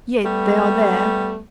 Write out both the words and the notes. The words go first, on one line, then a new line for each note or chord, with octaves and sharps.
Yet they are there.
G3 A3 B3